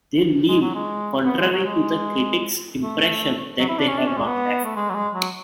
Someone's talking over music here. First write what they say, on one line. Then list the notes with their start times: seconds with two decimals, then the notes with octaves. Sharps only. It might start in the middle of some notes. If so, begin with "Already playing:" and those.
They leave, contrary to the critics' impression that they have not left.
0.48 G#3
0.61 F#3
0.75 G#3
1.26 B3
1.38 G#3
1.52 F#3
1.65 G#3
2.82 A3
3.59 F#3
3.69 E4
3.78 D4
3.88 C#4
3.98 D4
4.07 C#4
4.17 G#3
4.27 B3
4.65 A3
4.76 G#3
4.90 F#3
4.95 G#3
5.14 F#3